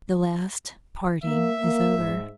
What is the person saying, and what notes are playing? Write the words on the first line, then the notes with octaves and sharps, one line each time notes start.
The last parting is over.
A#3 E5
A#3
G#2